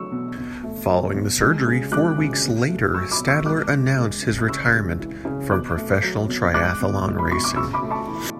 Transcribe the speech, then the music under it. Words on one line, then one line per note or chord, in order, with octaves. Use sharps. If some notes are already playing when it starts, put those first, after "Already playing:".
Following the surgery, four weeks later, Stadler announced his retirement from professional triathlon racing.
Already playing: F#3 A3 C#6 E6
B2
B2
A3
F#3
B2
G#3
C#3
G#3 D6 F#6
C#3
B2
A3
F#3 C#6 E6
B5 D6
B2
C#6 E6
G#3 D6 F#6
C#3
G#3
C#3
F#6
C#3 C#6 E6
G#3
E3
C#3
B2 D6 F#6
A3
F#3
B2
G#3 D6 F#6
B2
G#3
B5
B2 C#6
D6
C#3 C#6 E6
B5 D6
A3
A5 C#6
E3